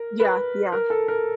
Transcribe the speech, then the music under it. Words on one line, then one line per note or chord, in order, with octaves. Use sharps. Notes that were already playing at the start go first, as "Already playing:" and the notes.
Yeah, yeah.
Already playing: A#4
B4
A#4
A4
A#4